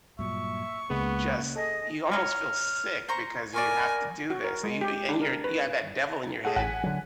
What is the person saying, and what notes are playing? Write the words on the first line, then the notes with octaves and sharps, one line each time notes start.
just you almost feel sick because you have to do this, and y and your you have that devil in your head
G2 A#2 F#3 E5 C#6
C#2 C#3 G#3 A#3 B3
G#4 A4 D#5
C#5 A#5 F6
C5 A#5 C#6
A#4 D5 G#5 C#6 D6
F#4
A#4
G#3
G4
D4
A#4
B4
A3 G#4 F#5
A1 F#5 G#5 B6
D3 F#3